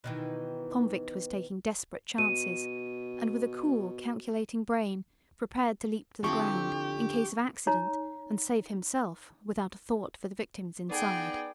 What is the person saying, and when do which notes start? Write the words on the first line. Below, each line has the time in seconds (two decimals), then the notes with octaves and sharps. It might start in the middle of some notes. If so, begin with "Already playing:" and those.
The convict was taking desperate chances, and with a cool, calculating brain, prepared to leap to the ground in case of accident and save himself, without a thought for the victims inside.
0.04 B2 D#3 E3
2.18 B2 D#7
6.24 D3 F3 C4 E4 G4 C#6
7.67 D#4 C#5 A#5
10.90 B3 D#4 G#4 D5 G5